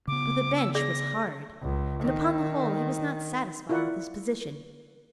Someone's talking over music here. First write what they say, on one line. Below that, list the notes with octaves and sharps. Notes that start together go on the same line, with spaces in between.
But the bench was hard and, upon the whole, he was not satisfied with his position.
C#3 B3 D6
E6
G#4 D5 A#6
C#2
D#3
E4 F4 A#4 D5 F#5 C#6